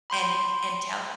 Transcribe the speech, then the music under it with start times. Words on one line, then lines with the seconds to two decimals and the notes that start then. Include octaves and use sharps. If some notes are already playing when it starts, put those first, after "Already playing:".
and and tell
0.10 B5 C6 G6